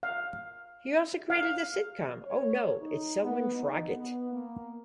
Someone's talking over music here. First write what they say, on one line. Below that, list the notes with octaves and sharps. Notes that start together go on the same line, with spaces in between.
He also created the sitcom Oh No, It's Selwyn Froggitt!
F5
F5
C#5
D#4
B3
D#4
B3
A#3